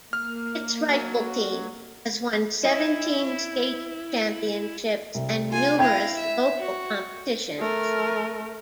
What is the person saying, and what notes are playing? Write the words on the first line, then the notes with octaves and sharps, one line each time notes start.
Its rifle team has won seventeen state championships and numerous local competitions.
A#3 F6
F#3
E4 D#5
C2
F4 G#4 G#5
E4 F5 G5 G#6 A#6
E5 E6
F#4
A3 A#4